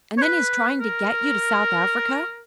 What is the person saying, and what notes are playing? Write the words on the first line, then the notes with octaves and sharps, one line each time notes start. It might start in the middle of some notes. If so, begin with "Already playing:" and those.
And then his trying to get you to South Africa.
C#5
B4
A#4